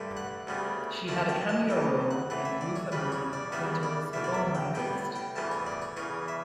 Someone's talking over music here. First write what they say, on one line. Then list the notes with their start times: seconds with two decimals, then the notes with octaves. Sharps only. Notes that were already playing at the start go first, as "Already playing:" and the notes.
She had a cameo role in Rufa Mae Quinto's Oh My Ghost!
Already playing: G2 D3 A3
0.17 F#5
0.47 D2 C#3 G3 B3
1.08 F#2 D3 A3 A5
1.29 G5
1.49 A5
1.69 C#2 C#3 E3 G5
2.11 F#5
2.30 A2 E3 A3 F#5
2.45 E5
2.61 D5
2.76 C#5
2.92 E2 C#3 G3 B4
3.12 C#5
3.33 D5
3.52 E2 C#3 G3 B3 E5
3.83 D5
4.13 E2 B2 A3 E5
4.24 D5
4.34 E5
4.55 G5
4.75 A2 G3 B3 G5
5.15 G5
5.36 D2 C#3 E3 B3 A5
5.51 C#5
5.66 D5
5.82 C#5
5.96 E2 C#3 E3 C#5
6.28 E5